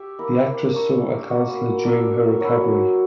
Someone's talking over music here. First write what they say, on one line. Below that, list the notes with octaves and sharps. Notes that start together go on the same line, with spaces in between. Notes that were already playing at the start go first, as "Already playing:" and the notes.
The actress saw a counsellor during her recovery.
Already playing: G4 C#5 E5
A#3 E4 A#4
D4 A#4 C#5 E5
A#3 C#4 F#4
D4 A#4 C#5 E5
F#3 C#4 E4